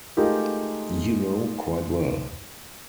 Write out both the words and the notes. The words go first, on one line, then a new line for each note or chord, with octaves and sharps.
You know quite well.
G#3 A3 D#4 F4 G4 A#4